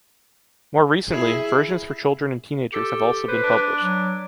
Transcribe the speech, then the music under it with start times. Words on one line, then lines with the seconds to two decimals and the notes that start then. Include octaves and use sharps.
More recently, versions for children and teenagers have also been published.
1.08 E4 G#4
2.73 G4 A4
3.28 B4 C5
3.43 D4
3.81 F#3